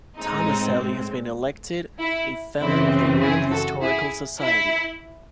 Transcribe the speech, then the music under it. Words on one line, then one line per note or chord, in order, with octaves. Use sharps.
Tomaselli has been elected a Fellow of the Royal Historical Society.
A2 G#3 C4 D#4
E4
F#2 C#3 E3 C4 E4
E4 G#4
F#4 A4
E4 G#4
E4